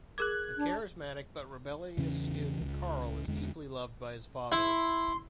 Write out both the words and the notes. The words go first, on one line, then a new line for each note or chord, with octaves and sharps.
The charismatic but rebellious student Karl is deeply loved by his father.
G#4 A#4 D6 F#6 G#6
D4
E2 C#3 E3 C#4
C#2
E2 D3 G#3
E4 C6